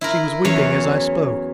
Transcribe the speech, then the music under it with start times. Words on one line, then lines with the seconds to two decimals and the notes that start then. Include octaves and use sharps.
She was weeping as I spoke.
0.01 E4 F4 A#4
0.45 E2 E3 F#3 C#4 C#5